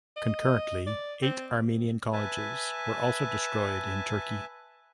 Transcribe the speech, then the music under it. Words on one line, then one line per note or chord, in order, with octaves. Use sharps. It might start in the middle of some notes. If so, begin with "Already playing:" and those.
Concurrently, eight Armenian colleges were also destroyed in Turkey.
D#5
D5
C4
B4 E5 G#5 A5